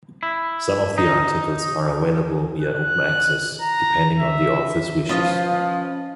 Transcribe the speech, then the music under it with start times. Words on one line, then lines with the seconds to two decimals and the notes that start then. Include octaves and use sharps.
Some of the articles are available via open access, depending on the author's wishes.
0.23 E4
0.98 D#4
2.62 F#6
3.61 A#5
4.17 E5
5.09 F3 C#4 F4 B4 D#5